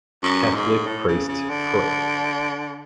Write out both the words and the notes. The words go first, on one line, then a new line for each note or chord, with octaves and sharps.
Catholic priest Fr.
F#2
G#2
A2
C#3
C#3
D3